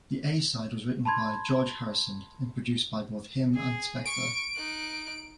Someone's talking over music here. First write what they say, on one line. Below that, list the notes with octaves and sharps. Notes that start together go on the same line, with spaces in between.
The A-side was written by George Harrison, and produced by both him and Spector.
A5 B5 C6 G#6
G#4
C#6 D7
D#4 F#6